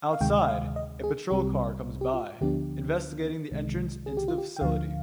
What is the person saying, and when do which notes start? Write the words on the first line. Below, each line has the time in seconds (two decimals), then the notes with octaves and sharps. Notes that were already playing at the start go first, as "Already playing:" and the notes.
Outside, a patrol car comes by, investigating the entrance into the facility.
0.13 F5
0.21 D2 C3 D#3 G#3 G5
0.48 F5
0.76 D#5
1.04 G#4
1.30 C2 C3 G3 C4 G4
2.01 G4
2.14 F4
2.41 D2 D3 F3 B3 D4 G4
3.51 C2 C3 D#3 G#3
4.06 G#4
4.17 G4
4.28 F4
4.38 G4
4.57 G5
4.61 D2 D3 F3 F5